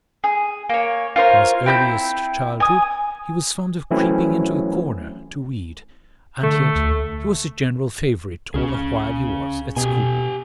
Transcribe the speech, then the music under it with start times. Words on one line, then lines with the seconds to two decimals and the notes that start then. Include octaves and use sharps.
From his earliest childhood he was fond of creeping into a corner to read, and yet he was a general favorite all the while he was at school.
0.24 G#4
0.69 A#3 C#5
1.16 F4 A#4 C5 C#5
1.66 C4 E4 A#5 G6
2.60 G#5 D#6
3.91 E3 F#3 A3 C4 C#4 E4
6.43 D3 A3
6.75 D2
8.54 C#2 C#4 G#4
9.77 B2 G4 G#5